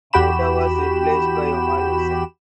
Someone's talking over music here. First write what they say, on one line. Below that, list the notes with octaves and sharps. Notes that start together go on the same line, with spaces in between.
Mota was replaced by Omar Hussein.
E2 F#4 G4 G5 B5 E7